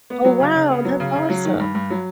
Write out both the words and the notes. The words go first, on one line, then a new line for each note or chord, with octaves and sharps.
Oh wow, that's awesome.
B3
F#3
C#3
C#3
B3
F#3
C#3
C#3
F#3
D#3
G2
G2
F#3